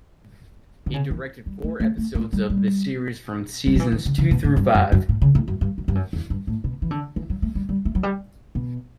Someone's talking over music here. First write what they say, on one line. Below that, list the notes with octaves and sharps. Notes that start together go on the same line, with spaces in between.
He directed four episodes of the series from seasons two through five.
D3
C#3
E3
G3
A3
A3
A3
A3
G3
G3
G3
F#3
E3
E3
C#3
C#3
B2
A2
G2
F#2
F#2
A2
C#3
A2
F#2
G2
F#2
G2
F#2
E2
G2
A2
B2
E3
D3
E3
F#3
A3
G3
G3
A3
F#3
G3
B2